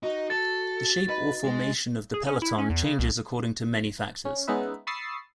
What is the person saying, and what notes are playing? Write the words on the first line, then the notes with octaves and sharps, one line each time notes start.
The shape or formation of the peloton changes according to many factors.
D#4 F#4
A4 A6
D#4 B4
G#3
G#4
C#4
E4
C#4
E2
C#3
C2
C#4
G#3 B3 C#4 D#4 B4 E5
B5 C#6 D#6 E6 A6 C7